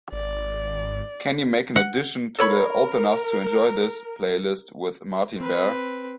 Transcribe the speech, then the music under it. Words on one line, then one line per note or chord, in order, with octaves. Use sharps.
Can you make an addition to the Old Enough To Enjoy This playlist with Martin Barre?
G#1 D5
F#5
A4 A#4 C#5 B5
C4 B4